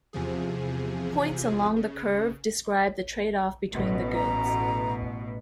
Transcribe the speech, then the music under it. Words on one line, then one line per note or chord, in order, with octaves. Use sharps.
Points along the curve describe the tradeoff between the goods.
E2 C3 F3 G#4
C#3
A1 B2
A#5